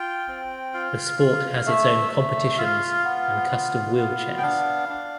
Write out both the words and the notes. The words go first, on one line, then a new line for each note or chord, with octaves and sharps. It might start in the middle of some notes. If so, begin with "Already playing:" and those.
The sport has its own competitions and custom wheelchairs.
Already playing: F4 G5
C4
F4 F5
F4
A3 E5
A3
F4 F5
B3
F4
B3
G5
D4 F5
D4